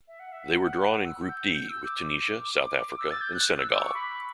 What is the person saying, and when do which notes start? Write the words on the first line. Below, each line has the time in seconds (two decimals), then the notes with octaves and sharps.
They were drawn in Group D with Tunisia, South Africa and Senegal.
0.08 E5
0.20 F#5
0.32 E5
0.44 F#5
1.05 E6
1.29 G6
1.53 G6
1.69 E6
1.85 D6
2.98 E6
3.10 A6
3.21 G6
3.34 F#6
3.59 E6
3.71 D6
3.82 C#6
3.94 B5